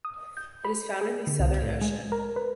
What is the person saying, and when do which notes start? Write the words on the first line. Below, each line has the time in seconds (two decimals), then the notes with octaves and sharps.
It is found in the Southern Ocean.
0.05 D#6
0.37 G6
0.65 B5
1.01 G#4
1.27 D3
1.40 C2
1.62 A2
1.81 G#3
2.12 A#4
2.36 B4